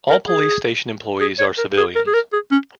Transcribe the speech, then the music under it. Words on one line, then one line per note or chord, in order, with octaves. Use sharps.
All police station employees are civilians.
A#4
G#4
G#4
C#5
A#4
G#4
A#4
G#4
A#4
G#4
C#4